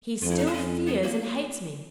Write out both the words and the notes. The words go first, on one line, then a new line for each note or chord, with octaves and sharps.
He still fears and hates me.
F2 F4
E4
D#4
D4
F2 C#4
B3
A#3